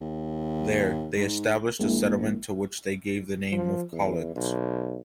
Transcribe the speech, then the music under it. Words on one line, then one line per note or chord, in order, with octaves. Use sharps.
There, they established a settlement to which they gave the name of Collins.
D#2
G#2
A#1 G#3 A#3 E4
F3
E2
B1